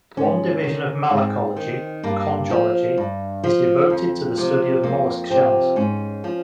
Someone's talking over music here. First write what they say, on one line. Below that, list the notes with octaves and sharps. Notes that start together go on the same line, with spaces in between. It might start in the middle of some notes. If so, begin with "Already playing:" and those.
One division of malacology, conchology, is devoted to the study of mollusk shells.
G#2 C#4
D#3
G#2 C4
D#3
G2 A#3
F3
G2
F3
F2
C3 F3
F2 A#3
C3 F3 C4
G#2 C#4
F3